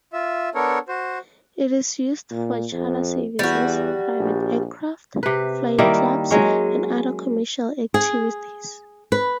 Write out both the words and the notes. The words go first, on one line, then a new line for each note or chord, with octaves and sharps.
It is used for charter services, private aircraft, flying clubs, and other commercial activities.
F4 E5
B3 D4 A4 A#4 C#5
F#4 C5
A#2
F2
E2 G3 F#4
A#1
C3 B4
D#3 G3 A#3 E4
F#3 G#3 C#4
G#4
B4